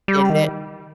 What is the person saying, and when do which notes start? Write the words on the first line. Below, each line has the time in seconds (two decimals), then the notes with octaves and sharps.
Did it?
0.08 G3
0.30 D#3